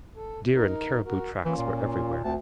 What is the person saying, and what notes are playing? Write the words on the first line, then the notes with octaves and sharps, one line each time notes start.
Deer and caribou tracks were everywhere.
A4
D#4 A#4
F#4 A#4
E3 A#3 C#4 F4
A#2
D2 A#2 C4 A5